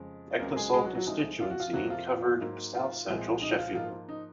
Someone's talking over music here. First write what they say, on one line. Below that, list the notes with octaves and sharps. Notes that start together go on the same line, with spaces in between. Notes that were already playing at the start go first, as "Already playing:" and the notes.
Ecclesall constituency covered south central Sheffield.
Already playing: F2 C#3 G#3
C#2 C#3 F#3 A#3 C4 A#4
A#4
G#3 G#4
G#3 G#4
F#3 F#4
F#3 F#4
C2 C3 F3 G#3 D#4
F4
F#4
F4
F2 C3 F3 F#3 A#3 F#4
F4
G#2 F#3 A#3
F4
C2 A#2 F3 G#3 C4
D#4
F4
G#2 F3 A#3 F4
D#4